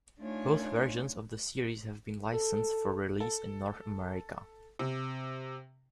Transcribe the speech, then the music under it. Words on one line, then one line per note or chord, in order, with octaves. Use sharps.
Both versions of the series have been licensed for release in North America.
A3 D4 D#4 F4 C#5 G#5
A4
A4
C3